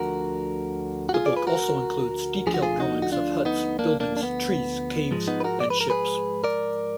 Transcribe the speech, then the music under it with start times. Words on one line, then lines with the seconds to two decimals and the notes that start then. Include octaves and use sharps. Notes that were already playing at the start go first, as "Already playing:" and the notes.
The book also includes detailed drawings of huts, buildings, trees, caves, and ships.
Already playing: D2 D3 F3 F#4 A#4
1.09 F#4
1.14 F4 G#4
1.26 D5
1.37 B4
1.47 F#4 A#4
2.47 D2 D3 F3 G#4
2.54 F#4
2.62 F4 G#4
2.80 D#4 F#4
3.02 F#4
3.12 D4 F4
3.45 B3 D#4
3.79 A#3 D4
4.00 A#3 D4
4.17 D4
4.23 B3
5.11 G#2 F3 G#3
5.28 B3 D#4
5.40 B4
5.44 F#4 A#4
5.60 D5
5.70 B4
5.81 A#4
5.90 G#4 B4
6.44 A#4 D5